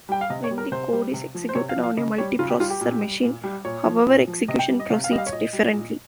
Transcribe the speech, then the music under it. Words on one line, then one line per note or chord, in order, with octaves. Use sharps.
When the code is executed on a "multiprocessor" machine, however, execution proceeds differently.
G3 G5
F5
C3 D#5
C#5
G3
A#4
C3 C5
G3
C3
F3
C5
C3 C#5
F5
F3
F5
C#3 D#5
G3 C#5
C#3 F4
G4
G3 F4
G4
A#2
G3
A#2
G3
A#2 C#5
F3
A#2
F3
C3 D#5
G5
G3
D#5
C3 F5
F5
G3 D#5
F5
C#5
A#2 D#5
G3
A#2